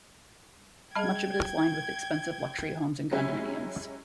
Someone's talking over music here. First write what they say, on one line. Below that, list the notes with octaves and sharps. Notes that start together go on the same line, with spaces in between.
Much of it is lined with expensive luxury homes and condominiums.
G3 G#4 D#5 G5 A5 B5 G#6
F#3 G#3 C#4 E4 G4